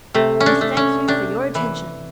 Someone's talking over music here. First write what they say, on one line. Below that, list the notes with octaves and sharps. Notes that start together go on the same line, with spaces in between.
"We thank you for your attention!"
C3 A3
C#4
D4
A3
C#4
C3 D4
E3